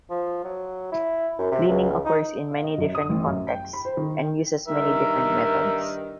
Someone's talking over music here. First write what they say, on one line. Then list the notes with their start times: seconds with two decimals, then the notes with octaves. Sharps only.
Cleaning occurs in many different contexts, and uses many different methods.
0.10 F3
0.45 F#3
0.92 E4
1.39 F#2
1.52 C3
1.69 C#2
2.05 D#4
2.51 F5
2.64 D#5
2.78 F#2
2.95 D#6
3.09 A1
3.27 F#2
3.48 G5
3.73 B5
3.85 C5
3.97 D#3
4.17 G5
4.68 G2 D#3 A#4 E5